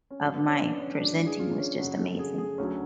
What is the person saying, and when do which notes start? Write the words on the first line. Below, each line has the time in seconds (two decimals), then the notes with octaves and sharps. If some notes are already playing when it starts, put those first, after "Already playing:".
of my presenting was just amazing.
0.10 C#4
0.21 G#2 F#3
0.34 B3
0.47 C#4
0.61 D4
0.71 B3
0.80 C#4
0.90 C#4
1.00 G#2 F#3 D4
1.26 G#4
1.39 F4
1.49 D4
1.59 C#4
1.79 F#2 C#3 F#3 F#4
2.00 A4
2.19 G#4
2.38 G#4
2.58 D2 D3 F#3 C#4